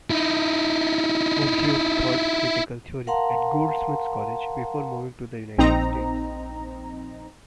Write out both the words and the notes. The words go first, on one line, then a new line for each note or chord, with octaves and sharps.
Oguibe taught critical theory at Goldsmiths College before moving to the United States.
D#4 E4
A#4 F5 F#5 A5 A#5 C6
A#1 C4 D#4 A#5